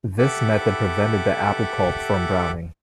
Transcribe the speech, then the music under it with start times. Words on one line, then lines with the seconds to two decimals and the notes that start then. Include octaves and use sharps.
This method prevented the apple pulp from browning.
0.18 G4 A4 E5 F#5 D6